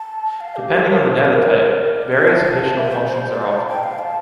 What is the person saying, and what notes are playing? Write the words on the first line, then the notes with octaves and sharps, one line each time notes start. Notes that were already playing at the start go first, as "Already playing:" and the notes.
Depending on the data type, various additional functions are offered.
Already playing: A5
F5
G4
G4
A4
A#4
A4
A#4
D5
E5
A5
A5
F5
E5
C5
C5
D5
F5
A5
G5
F5
A5